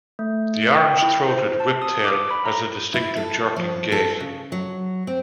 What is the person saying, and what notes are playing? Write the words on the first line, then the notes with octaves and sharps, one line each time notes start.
The orange-throated whiptail has a distinctive, jerking gait.
A3
G5
E4
C5
A5
D#6
D6
B5
A#5
E4
A4
F3
A4
C#3
F#3
C4